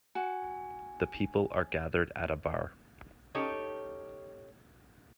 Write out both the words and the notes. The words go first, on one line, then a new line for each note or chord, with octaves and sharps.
The people are gathered at a bar.
F#4 G#5
C#4 D#4 G4 A4 C#5